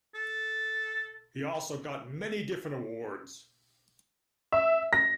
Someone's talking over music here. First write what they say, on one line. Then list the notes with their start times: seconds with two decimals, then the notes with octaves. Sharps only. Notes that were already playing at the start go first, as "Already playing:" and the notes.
He also got many different awards.
0.15 A4
4.52 E5
4.93 A#6